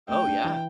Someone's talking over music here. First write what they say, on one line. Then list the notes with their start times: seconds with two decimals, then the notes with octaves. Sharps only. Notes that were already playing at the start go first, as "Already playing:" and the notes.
Oh, yeah,
0.09 A3 G5
0.27 D4
0.44 E3